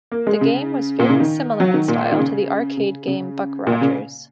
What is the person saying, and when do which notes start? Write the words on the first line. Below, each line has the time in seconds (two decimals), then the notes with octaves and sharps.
The game was very similar in style to the arcade game "Buck Rogers".
0.12 A#3
0.27 G#3
0.41 C#3
1.00 A#2
1.10 C#3
1.20 D#3
1.60 F#3
1.74 D#3
1.88 A#2
2.12 D#3
2.19 C#3
2.77 C#3
3.07 C#3
3.67 A#2
3.81 C#3